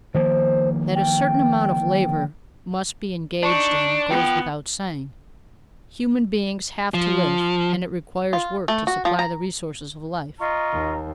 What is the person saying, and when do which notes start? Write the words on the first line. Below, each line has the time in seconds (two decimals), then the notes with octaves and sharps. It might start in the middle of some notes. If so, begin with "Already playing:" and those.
That a certain amount of labor must be engaged in goes without saying. Human beings have to live and it requires work to supply the resources of life.
0.14 D#3 F3 A#3 C5
0.95 G5
3.43 D4 D#4 C#6
4.11 B3 F4 G5
6.94 F3
8.33 F4
8.68 A3
8.87 F#4
9.05 F3
9.19 A#5
10.39 F4 D#5 A#5 C#6
10.73 D#2